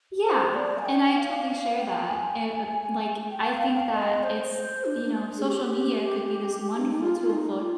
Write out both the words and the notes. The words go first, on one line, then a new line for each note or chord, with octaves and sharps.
Yeah, and I totally share that e uh, like, I think that it's You know, social media could be this wonderful tool for,
C5
C5
D5
G#5
G5
G5
F5
F5
G5
G#5
G5
F5
G5
F5
D#5
C5
C5
D4
D4
G#4
G4
D4
D#4
F4
F4
D#4
F4